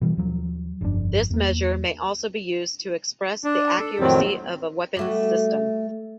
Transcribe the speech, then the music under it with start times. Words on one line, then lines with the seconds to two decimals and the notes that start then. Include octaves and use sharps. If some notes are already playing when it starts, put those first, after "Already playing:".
This measure may also be used to express the accuracy of a weapon system.
0.01 B2 E3 G3
0.17 D#2 F3 F#3
0.81 G1 F2 A#2 D4
1.30 E2 A#3
3.44 D4
3.79 A4
4.00 F2 A2 D#3 F#3 C4
4.97 G3 A3 F#4